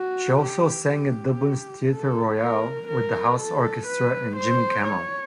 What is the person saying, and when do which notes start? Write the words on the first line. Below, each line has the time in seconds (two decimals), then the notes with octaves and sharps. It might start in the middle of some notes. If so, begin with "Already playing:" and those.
She also sang at Dublin's Theatre Royal with the house orchestra and Jimmy Campbell.
Already playing: F#4
0.42 G4
0.91 G4
1.90 A4
2.39 A#4
2.88 A#4
3.38 A4
3.86 B4
4.36 C5
4.85 C#5